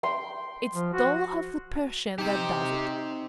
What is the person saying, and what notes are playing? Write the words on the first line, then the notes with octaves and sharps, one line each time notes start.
It's 'Dolokhov the Persian' that does it!
G5 C6
F3
F#4
C4 D#4 G4 C5